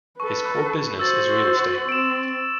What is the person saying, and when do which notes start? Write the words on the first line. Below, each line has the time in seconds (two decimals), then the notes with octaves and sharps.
His core business is real estate.
0.20 A4 B4 C#6
0.99 F#4 C5 E6 A6 F#7
1.89 C4 D7 E7